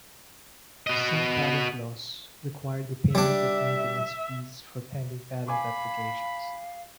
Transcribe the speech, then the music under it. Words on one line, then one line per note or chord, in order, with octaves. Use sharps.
Some patent laws require the payment of maintenance fees for pending patent applications.
F#4 D#5
G3 D4 E5
F5 G#5 B5 D6